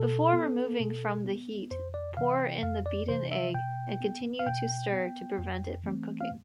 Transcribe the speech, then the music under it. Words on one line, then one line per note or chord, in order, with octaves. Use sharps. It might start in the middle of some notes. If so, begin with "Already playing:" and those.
Before removing from the heat, pour in the beaten egg and continue to stir to prevent it from cooking.
Already playing: B2 A4
B3
B2
B3
F2 C5
D5
C3 E3 F5
G5
F2 F5
D5
C3 E3 C5
E5
B2 G5
B3
F5
B2 G5
B3
F2
E3 A3 C4
F5